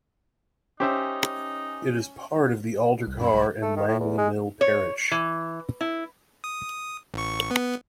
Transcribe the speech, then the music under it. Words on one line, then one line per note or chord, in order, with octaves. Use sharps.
It is part of the Aldercar and Langley Mill parish.
C#4 D#4 G4 C5 E5
C2
F#2 B5
C2
A3
D#3
A2
E2
G#3
C#5
E3
E4
D#6
A1 C#6
B3